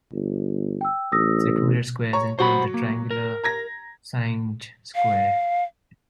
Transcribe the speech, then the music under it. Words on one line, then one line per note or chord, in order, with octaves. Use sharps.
Secluded squares include the triangular Canynge Square.
G1
G5 E6
A1 D#6 E6 A#6
C#5 A#5 C#6
F#3 C5 F#5 B5 C#6
A#3
A#4
A#5 G#6 A#6
F5